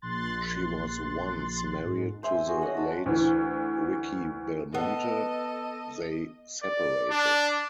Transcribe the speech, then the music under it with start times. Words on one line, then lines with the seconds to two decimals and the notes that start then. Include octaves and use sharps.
She was once married to the late Ricky Belmonte, they separated.
0.02 A#1 C6 F#6 A6
1.86 G#2
2.23 C5 E5 G#5
2.47 F#4 G#4
2.62 C#5 D#5 F#5
2.77 F#5 A5
3.06 D2 E3
4.74 B3 A4 D#5
6.63 D5
7.10 D4